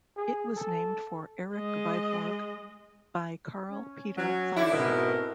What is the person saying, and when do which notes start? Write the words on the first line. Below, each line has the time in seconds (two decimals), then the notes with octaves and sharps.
It was named for Erik Viborg by Carl Peter Thunberg.
0.17 G#4
0.57 A4
1.54 G#3 D#5
3.70 C#4
4.17 F#3 C#4
4.56 D3 E4 D5
4.71 G#2 B2 A3 C4 A#4